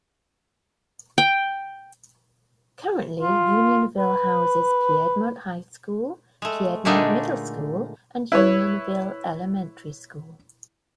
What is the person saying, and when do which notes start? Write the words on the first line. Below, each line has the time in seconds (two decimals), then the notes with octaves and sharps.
Currently, Unionville houses Piedmont High School, Piedmont Middle School, and Unionville Elementary School.
1.18 G5
3.21 F4
3.98 B4
6.42 G#3 A3
6.85 A#2 D3 G#3 A3 D4 D#4
8.32 E4 B4 C#5